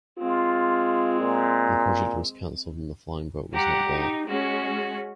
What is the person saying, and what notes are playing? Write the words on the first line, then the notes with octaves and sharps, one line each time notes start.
The project was cancelled and the flying boat was not built.
G#3 C4 F4
A#2
G3 G4 F#5 A#5
D#4
G#3 C#4 F#4